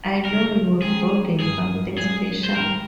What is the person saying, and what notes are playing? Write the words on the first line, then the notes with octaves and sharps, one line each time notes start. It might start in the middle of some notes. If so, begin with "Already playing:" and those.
I know you were brooding something special.
C#3 G#3 D#4 A#4
D#3 G#3 C#4 G#4
G2 F3 A#3 G#4
A#2 G#3 C#4 F4 G#4
C5
G#2 D#3 G3 A#3 A#4